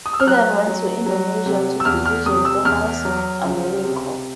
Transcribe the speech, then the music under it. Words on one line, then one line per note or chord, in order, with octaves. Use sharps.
He then went to Indonesia to decision Thomas Americo.
D#6
E6
F6
F#3 F#6
F#3
F#3
C3
E6
E2 F6
F6
C3 D#6
E6
E2 F6
F#3
C#2
C3